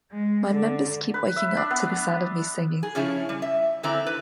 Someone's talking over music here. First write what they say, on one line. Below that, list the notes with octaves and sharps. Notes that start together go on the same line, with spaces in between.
My members keep waking up to the sound of me singing.
G#3
D3
B4
E5
D4
B3
G#4
C#3 F3 C#4 E4 G#4
G3
E5
D3 E3 C4 E4 A#5
B4